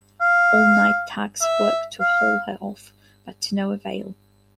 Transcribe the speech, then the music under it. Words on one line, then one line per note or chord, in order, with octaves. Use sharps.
All night tugs worked to haul her off, but to no avail.
F5
E5
F5